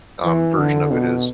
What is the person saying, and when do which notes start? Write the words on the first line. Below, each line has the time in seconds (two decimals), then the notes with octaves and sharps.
um, version of it is.
0.25 E3
0.58 D3
0.91 B2